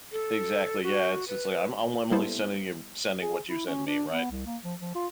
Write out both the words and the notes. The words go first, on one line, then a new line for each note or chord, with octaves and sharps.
Exactly, yeah. It's it's, like, "I'm I'm only sending you sending what you send me," right?
A4
F#4
B4
G3 A#3 B3 E4 A4 C5
G#4
E4
C#4
D4
B3
C2
A#3
F3
F3
F4